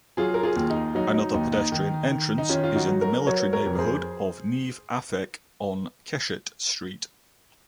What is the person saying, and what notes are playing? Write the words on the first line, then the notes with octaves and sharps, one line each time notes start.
Another pedestrian entrance is in the military neighborhood of Neve Afek on Keshet Street.
F#3 F4 G#4
A#4
F4 G#4
D#2
D#4
F#3 D#4
D#4
D#2 D#4
D#4
D#3
D#3
D#4
D#3 C#4 F4
F4
D#4 F#4
F#3
F#4 A#4
F#3 A#4 C#5
A#4 C#5
F2
G#4 C5